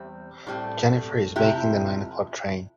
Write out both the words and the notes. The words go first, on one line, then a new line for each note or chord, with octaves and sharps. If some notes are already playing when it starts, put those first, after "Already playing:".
Jennifer is making the nine o'clock train.
Already playing: E2 G3 C4
A2 G3 C4
F2 C3 F3 E4 G4